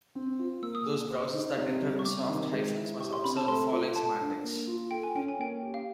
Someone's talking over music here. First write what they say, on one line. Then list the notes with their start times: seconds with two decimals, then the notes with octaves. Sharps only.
Those browsers that interpret soft hyphens must observe the following semantics.
0.15 C4
0.39 F4
0.62 A#3 E6
0.75 D#6
0.86 G#4
1.11 C5
1.34 D#4
1.58 C3
1.82 G3
1.99 C#6
2.05 C3 D6
2.29 D#3
2.52 G#3
2.77 E4
3.00 G4 C#6
3.13 C6
3.24 C4 B5
3.37 A5
3.48 A3 C6
3.72 F4
3.95 A4 A5
4.20 D4
4.44 A#3
4.67 F4
4.91 A4 G5
5.03 G#5
5.15 C#4 G5
5.28 G#5
5.39 A#3 G5
5.63 G4
5.74 F5